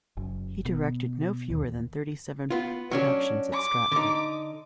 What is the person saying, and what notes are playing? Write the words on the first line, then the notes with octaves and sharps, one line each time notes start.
He directed no fewer than thirty seven productions at Stratford.
F#1
B2
D#2
B3 F4
F#3 C#4 D4
D6
D3 D#4